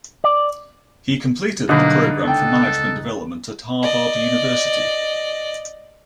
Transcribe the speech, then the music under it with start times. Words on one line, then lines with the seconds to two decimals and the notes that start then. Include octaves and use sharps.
He completed the Program for Management Development at Harvard University.
0.24 D5
1.69 B2 D3 F#3 G3 A#3 D#4 B4
2.23 C#2 A4 G5
3.83 D5 D#5